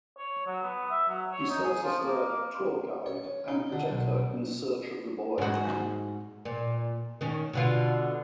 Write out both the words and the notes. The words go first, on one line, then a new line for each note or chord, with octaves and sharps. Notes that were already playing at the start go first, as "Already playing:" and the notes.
He serves as their "tour guide" and protector in search of the boy.
C#5
F#3
B3
E5
F#3
C#5
D#4
G#4
F3
A#3
A#3
C#5
D#4
D3
B1
G#2 F#4
A#2
D#3 C#4
B2 D3 F4